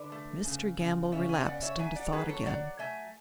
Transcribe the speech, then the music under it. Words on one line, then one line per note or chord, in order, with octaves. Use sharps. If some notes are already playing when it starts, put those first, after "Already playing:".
Mr. Gamble relapsed into thought again.
Already playing: D3 B4 D5
A3
C#3
C#3
C#3 C#5 E5
E5 G#5
B3 D5 F#5
C#5 E5
F#3 E5 G#5
D5 F#5
F#3 G#4 B4
A4 C#5
F#3 D5 F#5
A3 E5 G#5